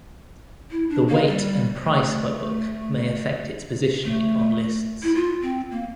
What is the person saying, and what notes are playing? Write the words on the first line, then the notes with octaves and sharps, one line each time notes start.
The weight and price of a book may affect its positioning on lists.
E4
D4
A#3
G3
A3
A3
E4
F4
C4
A#3